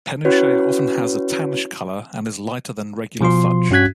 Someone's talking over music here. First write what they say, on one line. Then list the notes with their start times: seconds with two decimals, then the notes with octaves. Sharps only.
Penuche often has a tannish color, and is lighter than regular fudge.
0.25 C#4 E4 F#4 B4 C#5
3.21 B2 F3 F4 C6
3.71 G2 C#4 F#4 F#6 G#6 B6